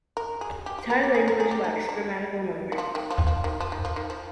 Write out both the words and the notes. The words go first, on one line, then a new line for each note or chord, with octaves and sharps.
The Thai language lacks grammatical number.
A#4
G#4
G4
G4
A#4
G4
G#4
A#4
G#4
G4
D#4
D4
D#3
F3
D#3
F3
F3
D#3
F3
D#3
F3
D#3
F3